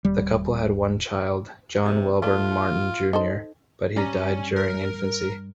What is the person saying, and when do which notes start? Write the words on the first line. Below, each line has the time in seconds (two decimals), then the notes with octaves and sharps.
The couple had one child, John Wellborn Martin, Junior but he died during infancy.
0.05 D#1 G3
1.84 C3
2.22 A3 D4 F4
3.13 D#4 A4 C5
3.96 G2 C#4 D5 A#5
4.56 A#4